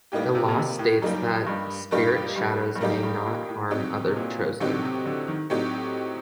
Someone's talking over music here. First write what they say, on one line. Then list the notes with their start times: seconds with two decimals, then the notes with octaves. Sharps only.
A law states that Spiritshadows may not harm other Chosen.
0.12 A2 G3 A#3 D#4 G4
0.35 C3
0.48 A#2
0.58 C3
0.79 A2
1.02 F#2 G3 A#3 D#4 G4
1.47 G2
1.91 G2 G3 A#3 D#4 G4
2.36 G2
2.76 G2
2.81 F#2 G3 A#3 D#4 G4
3.03 G2
3.26 A#2
3.49 A2
3.71 A2 F#3 C4 D#4 G4
4.08 C3
4.16 A#2
4.60 A2 D3 F#3 C4 D#4 G4
4.83 C3
5.06 D3
5.28 D#3
5.50 A2 F#3 C4 D#4 G4